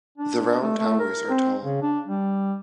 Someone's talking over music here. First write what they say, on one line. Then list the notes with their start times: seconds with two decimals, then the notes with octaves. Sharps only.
The round towers are tall.
0.18 D4
0.62 A3
0.78 A3
1.00 A#4
1.30 C4
1.64 C#3
1.82 D4
2.08 G3